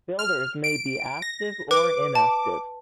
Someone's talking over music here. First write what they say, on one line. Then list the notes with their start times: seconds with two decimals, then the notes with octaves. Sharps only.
Builders may be "active or inactive".
0.19 F6
0.64 D7
1.22 A#6
1.71 B4 D6
2.15 A5